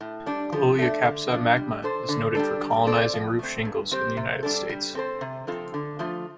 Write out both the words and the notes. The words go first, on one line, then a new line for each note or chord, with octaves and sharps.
"Gloeocapsa magma" is noted for colonising roof shingles in the United States.
A2
G3 D4
F3
A3 D4
D3
F3 D4 F4
G3
D4 A4 C5
D3
G3 D4 A4
G3
C4 A4 D5
F3
A3 C4
G2
G3 C4 G4 C5
C3
G3 D4 A4
G3
C4 A4 C5
C3
F3 C4 F4 A4
D3
F3 A3 F4